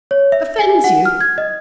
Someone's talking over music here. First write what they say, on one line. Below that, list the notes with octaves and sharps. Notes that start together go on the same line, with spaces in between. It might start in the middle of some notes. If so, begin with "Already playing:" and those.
'Offends you!
C#5
E5
G#5
F#5
F6
G#6
D#5